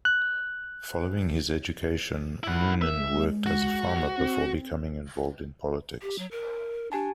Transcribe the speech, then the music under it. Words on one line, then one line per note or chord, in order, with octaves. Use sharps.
Following his education Noonan worked as a farmer before becoming involved in politics.
F#6
E4 F#5 B5
A#3 E5
G#3
F#4
C4
G4
F#3
A#4
D4 G4 G#5 A5